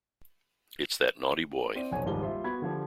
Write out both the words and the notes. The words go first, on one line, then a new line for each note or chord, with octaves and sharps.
It's that naughty boy.
C4 E4 D5 D#7
F1 B1 C#5 G#5
F#1 D#2 G#2 F3 G3 G7
G3 F4 C5 E5
B3 F#4 B5 G#6
D3 F3 G4